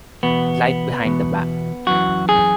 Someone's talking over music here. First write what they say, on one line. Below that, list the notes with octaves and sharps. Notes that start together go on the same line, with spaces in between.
Light Behind The Back.
E2 B2 B3
E2 B2
F#2 E3 F#4
G#4